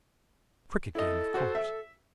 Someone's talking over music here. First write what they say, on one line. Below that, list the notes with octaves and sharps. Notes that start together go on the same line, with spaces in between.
A crooked game, of course.
E4 A4 D#5
F#4 C5
E5